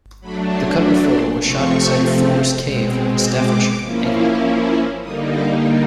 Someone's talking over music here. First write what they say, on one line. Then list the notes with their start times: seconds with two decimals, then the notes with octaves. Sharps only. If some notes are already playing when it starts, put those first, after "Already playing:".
The cover photo was shot inside Thor's Cave in Staffordshire, England.
0.21 F#3 A3 D4 B5
0.51 C6
0.81 B5
1.11 C6
1.41 C3 F3 A3 C4 C#6
2.61 B2 G#3 C4
3.21 D6
3.81 F3 A#3 C#4 E4
5.02 D3 G3 A#3 D#4 D#6
5.32 D6